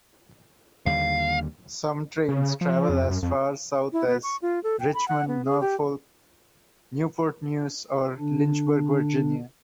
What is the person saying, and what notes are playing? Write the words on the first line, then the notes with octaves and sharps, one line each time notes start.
Some trains travel as far south as Richmond, Norfolk, Newport News or Lynchburg, Virginia.
D#2 D3 G3 F5
C#3
F3
F2
F#2
F2
E4
B3
C#6
F4
A4
G5
B5
F#5
B3
G#4
G4
D3 D4